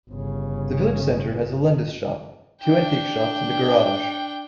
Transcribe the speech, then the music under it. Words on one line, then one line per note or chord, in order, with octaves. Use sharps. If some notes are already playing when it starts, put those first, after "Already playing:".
The village centre has a Londis shop, two antiques shops and a garage.
G1 C#3
D4 G5